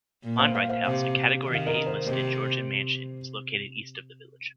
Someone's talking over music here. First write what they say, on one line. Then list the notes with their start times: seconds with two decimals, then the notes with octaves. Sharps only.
Monreith House, a category A listed Georgian mansion is located east of the village.
0.24 A#2
0.39 C5 F5
0.54 C5 F5
0.69 C5 F5
0.85 C3
1.46 D#3
1.55 F5
1.66 A#4 D#5
1.86 C5
2.06 C3 C5